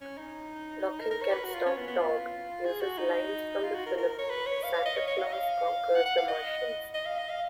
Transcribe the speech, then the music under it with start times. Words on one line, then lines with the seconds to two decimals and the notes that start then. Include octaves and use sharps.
"Nothing Can Stop Torg" uses lines from the film "Santa Claus Conquers the Martians".
0.01 C#4
0.18 D#4
1.00 A#4
1.11 A#4
1.22 C#5
1.32 B4
1.45 F#4
1.54 F4
1.66 C#4
1.77 B3
1.88 B3
1.99 F4
2.66 G#4
2.81 F#4
2.98 D#4
3.64 F4
3.75 F#4
3.86 A#4
3.98 A#4
4.19 C#5
4.30 B4
4.46 C#5
4.63 F5
4.74 F5
4.86 D#5
4.96 C#5
5.07 C#5
5.18 F5
5.26 D#5
5.33 F5
5.95 F#5
6.06 F#5
6.17 F5
6.28 D#5
6.94 D#5
7.06 F5
7.19 D#5
7.30 F5